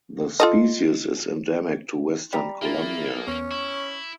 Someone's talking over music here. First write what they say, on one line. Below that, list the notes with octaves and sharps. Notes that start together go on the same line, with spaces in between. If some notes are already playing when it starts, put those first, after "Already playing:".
The species is endemic to western Colombia.
F4 A4 D#5
G3 A#5
A#3 E4 G#4 A#4 A6
E2 B3 C#4
E4 C#6